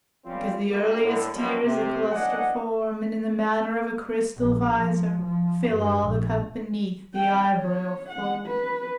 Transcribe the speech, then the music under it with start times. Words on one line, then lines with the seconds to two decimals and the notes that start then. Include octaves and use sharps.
Because the earliest tears a cluster form, And, in the manner of a crystal visor, Fill all the cup beneath the eyebrow full.
0.25 G1 F3 G3 C4 C#4 F4
0.70 D2 G3 A#3 A4
1.03 A2 D3
1.35 F#2 B2 F3 G3
1.63 C3
2.12 F#1 E2 D4 G#4 D#5 F#5
4.36 A#1
4.74 F3
5.22 F3
5.69 G2
6.03 A#1
7.14 G5
7.55 C#5
8.09 F#5
8.46 B4